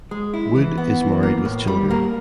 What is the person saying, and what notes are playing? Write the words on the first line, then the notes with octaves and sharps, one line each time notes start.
Wood is married with children.
G#3
E4
E3
B3
E3
A#3
A2
G3
A#3